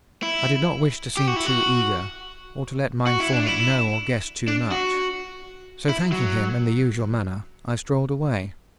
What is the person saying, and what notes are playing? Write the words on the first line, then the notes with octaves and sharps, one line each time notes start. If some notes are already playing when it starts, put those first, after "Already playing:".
I did not wish to seem too eager, or to let my informant know or guess too much, so, thanking him in the usual manner, I strolled away.
E4
G4
F#4
E4
F#4
F#4
E4
D4
E4
D4
F#4
E4
F#3